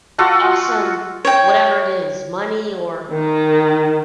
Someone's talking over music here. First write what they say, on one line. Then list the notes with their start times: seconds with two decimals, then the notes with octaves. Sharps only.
awesome, whatever it is, money or,
0.18 F4 F#4 A4 F#5
1.25 C#5 G5
3.12 D#3